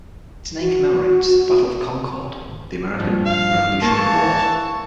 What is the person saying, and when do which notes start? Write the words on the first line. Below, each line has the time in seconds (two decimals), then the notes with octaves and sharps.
Its name commemorates the Battle of Concord of the American Revolutionary War.
0.60 F#4
2.99 G2 F3
3.26 F5
3.82 E3 A#3 A5 C#6